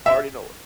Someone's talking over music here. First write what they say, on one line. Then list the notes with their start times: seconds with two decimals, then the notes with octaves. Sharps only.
I already know it
0.06 E5